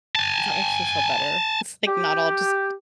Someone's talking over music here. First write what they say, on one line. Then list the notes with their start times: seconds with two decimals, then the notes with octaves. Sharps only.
Is that makes me feel better, it's, like, not all just
0.15 G#5 A5
1.88 G4